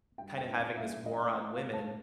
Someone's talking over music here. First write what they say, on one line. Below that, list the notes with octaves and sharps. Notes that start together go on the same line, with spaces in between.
kinda having this war on women,
G2 G5
G5
A1
F5
G2 E5
A1 D#5
A1 D#5
F5
G2
A5